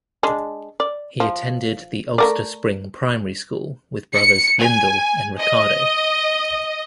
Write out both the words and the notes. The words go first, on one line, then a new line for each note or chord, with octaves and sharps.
He attended the Ulster Spring primary school with brothers Lindel and Ricardo.
G#3 D4
D5
F3
A3 A#4 D5
C#7
G#5
D#5